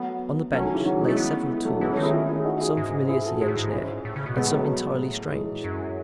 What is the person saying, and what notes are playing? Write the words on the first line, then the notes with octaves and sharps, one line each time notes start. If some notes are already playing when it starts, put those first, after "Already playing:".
On the bench lay several tools, some familiar to the engineer and some entirely strange.
Already playing: F#3 A3 B3
F#3 A3 C#4
D#3
C#3 E3
D#3 F#3
E3 G#3
A3
B3
E3 G#3
F#3 A3
E3 G#3 B3
A3 C#4
D#3
E4 G#4
C#4 E4
C#4 E4
G#4
D#4 F#4
E4 G#4
G#2
E4 G#4
F#4 A4
G#2 E4 G#4
A2
G#2
C#4 E4
A2
C#3
B2
A2 G#3 B3
F#3 A3
E3 G#3
F#2